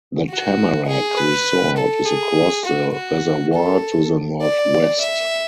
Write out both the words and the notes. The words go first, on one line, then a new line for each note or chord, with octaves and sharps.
The Tamarack Resort is across the reservoir to the northwest.
F#4
G#4
B4
A4
G#4
F#4
F#4
A4
D5
E5